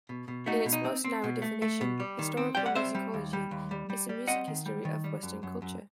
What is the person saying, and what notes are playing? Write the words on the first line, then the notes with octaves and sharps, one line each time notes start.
In its most narrow definition, historical musicology is the music history of Western culture.
B2
B2
A3 D#4 F#4
B2
D#4
C4
C4
B2
A3
A3
B2
G3
D#3
C4
G3 G5
F#5
C4 C5 E5
G3
D#2
G3
D#2
G3
G3
G3
C4 D#5 F#5
D#3
G3
D#3
G3
F#2
F#2
F#2